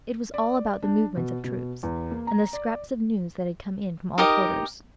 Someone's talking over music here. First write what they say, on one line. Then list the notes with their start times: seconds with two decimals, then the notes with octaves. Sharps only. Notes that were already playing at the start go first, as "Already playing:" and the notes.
It was all about the movements of troops, and the scraps of news that had come in from all quarters.
0.34 D5
0.83 D4
1.16 B2
1.44 B2
1.83 E2
2.11 A#3
2.27 A#5
2.53 D5
4.18 D#4 G4 A#4 D#5